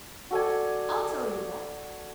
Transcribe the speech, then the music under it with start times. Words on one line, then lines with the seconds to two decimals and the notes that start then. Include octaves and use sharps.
I'll tell you what!
0.31 F#4 A4 D5 G#5